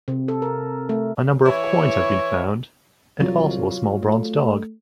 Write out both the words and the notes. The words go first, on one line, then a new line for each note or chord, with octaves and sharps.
A number of coins have been found and also a small bronze dog.
C3
A4
A#4
A3
E3 E4 C#5
C2 F#3 F4
A3